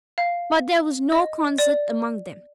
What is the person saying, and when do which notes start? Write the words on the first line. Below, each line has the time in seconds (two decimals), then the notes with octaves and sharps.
But there was no concert among them.
0.18 F5
1.12 D#5
1.58 D5